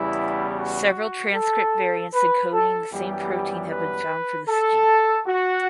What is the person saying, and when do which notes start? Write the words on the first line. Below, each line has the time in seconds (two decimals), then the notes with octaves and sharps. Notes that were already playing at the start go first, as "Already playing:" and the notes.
Several transcript variants encoding the same protein have been found for this gene.
Already playing: E2 C#3 G3 B3 E4
0.57 F#4
1.34 A4
2.13 B4
2.53 A4
2.92 F#2 E3 G3 B3 G4
3.70 B4
4.48 A4
5.27 F#4